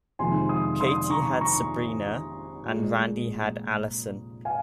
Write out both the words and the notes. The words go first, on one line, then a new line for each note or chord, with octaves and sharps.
Katie had Sabrina, and Randy had Allison.
F2 C3 D#3 G#3 G#5 C6
C6 D#6
C6 D#6
A#5 C#6
A#5 C#6
A#2
G#3
F5 G#5